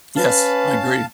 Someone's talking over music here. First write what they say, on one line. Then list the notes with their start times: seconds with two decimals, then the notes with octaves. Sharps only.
Yes, I agree.
0.16 C#4 B4 F5 A5